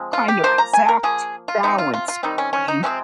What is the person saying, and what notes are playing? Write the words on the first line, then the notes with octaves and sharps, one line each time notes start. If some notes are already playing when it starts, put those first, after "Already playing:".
kind of, exact balance between
Already playing: F3 G#3 C4
F4
G4
F3 A#3 C5
A#5
G#5
A#4
F3 A#3 G#4
F4
C3 F3 C4 D#4
F4
F4
F4
D#3 G3 C4 D#4
C#4
C#4
D#4
C3 F3 G#3 C4 C#4